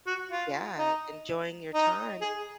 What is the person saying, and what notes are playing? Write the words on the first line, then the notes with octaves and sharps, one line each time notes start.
Yeah, enjoying your time
F#4
F4
D#4
D#4
G#4